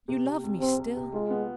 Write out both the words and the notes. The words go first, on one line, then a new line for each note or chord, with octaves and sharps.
You love me still.
C3
C3
C2
C2 C4
C3
C3
G#3 F4
B3